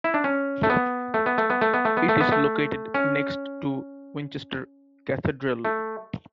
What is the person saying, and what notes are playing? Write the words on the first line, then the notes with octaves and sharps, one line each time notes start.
It is located next to Winchester Cathedral.
E4
D4
C#4
A3
B3
A3
B3
A3
B3
A3
B3
A3
B3
A3
B3
A3
C#4
A3